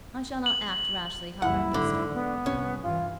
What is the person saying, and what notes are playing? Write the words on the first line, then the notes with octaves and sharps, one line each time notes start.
I shall not act rashly, Comrade Bristow.
F#7
F#1 C#2 G3 E4 F#5
G#2 D3
B3
C2 C#4
G2 E3 F4